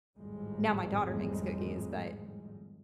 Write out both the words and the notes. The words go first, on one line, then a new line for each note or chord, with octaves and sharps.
now my daughter makes cookies, but,
G#1 F2 A2 G3 G#3